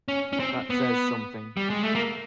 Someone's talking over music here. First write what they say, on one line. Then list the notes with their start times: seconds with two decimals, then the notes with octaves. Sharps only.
That says something.
0.08 C#4
0.33 C#4
0.40 C4
0.70 B3
1.57 G3
1.70 G#3
1.83 A3
1.95 A#3